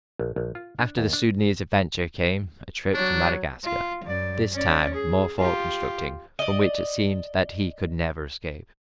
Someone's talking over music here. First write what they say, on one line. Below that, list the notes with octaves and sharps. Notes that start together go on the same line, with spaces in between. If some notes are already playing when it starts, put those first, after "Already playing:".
After the Soudanese adventure, came a trip to Madagascar--this time, more fort constructing, from which it seemed that he could never escape.
A#1
A#1
F4
D4
D#2
D4
F#3 D4 C#5
F4
F#2 D5
C#4 D5
G#4
F4 G4
D5 D#5